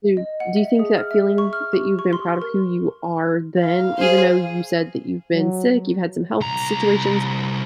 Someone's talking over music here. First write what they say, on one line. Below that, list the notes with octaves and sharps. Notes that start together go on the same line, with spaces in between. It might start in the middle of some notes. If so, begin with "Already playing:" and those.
Do do you think that feeling that you've been proud of who you are then, even though you said that you've been sick, you've had some health situations,
D#5
F#5
E5
G#4
F6
E5
C#6
F6
G4
C#6
C6
A#4
F5
G#4 C5
F#3
C2 A#5